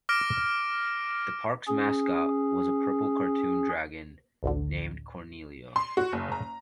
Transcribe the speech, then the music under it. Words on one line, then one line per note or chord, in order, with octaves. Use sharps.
The park's mascot was a purple cartoon dragon named Cornelio.
D6 F6 A#6 D7
C#4 G#4
A1 D2 D3
C6
F#4
F#1
A#5